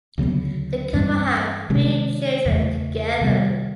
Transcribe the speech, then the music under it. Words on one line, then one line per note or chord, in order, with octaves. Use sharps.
The couple have three children together.
D2 C#3 F#3 B3
G2 E3 G3 C4
C3 D#3 G#3 C#4
E2 C#3 E3 A3
C3 D#3 G3 B3